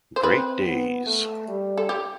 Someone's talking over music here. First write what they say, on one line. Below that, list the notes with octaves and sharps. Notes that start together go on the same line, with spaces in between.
Great days!
C5
C4 B4
B3
A3
G3
A4
G4